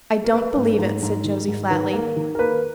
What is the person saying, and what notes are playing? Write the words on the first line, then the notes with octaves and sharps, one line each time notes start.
"I don't believe it," said Josie flatly.
A#4
A#3 B4
G#2
G#2
G#2
D#3
G#2
D#3 B4
A#3
D#3
A#4
A#3 B4